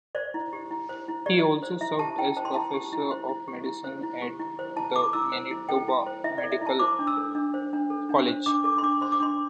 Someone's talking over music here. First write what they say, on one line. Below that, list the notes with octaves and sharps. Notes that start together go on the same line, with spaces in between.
He also served as professor of medicine at the Manitoba Medical College.
C5 D5
E4
G4
E4
C5
E4
G4 D5
E4
C5
E4 E5
G4 A5
E4 G5
C5 A5
C6
E4 A5
G4
E4
C5
E4
G4
E4
C5
E4
G4
E4
C5
E4 A5
A4 D6
E4 E6
C5
E4
A4 G5
E4
C5
E4 E5
D5
A4
E5
E4
A5
C5 D6
D4
E6
A4
D4
C5
D4
A4
D4
C5
D4 D6
A4 D6
C6
D4 D6
C5 C6
D6
D4 C6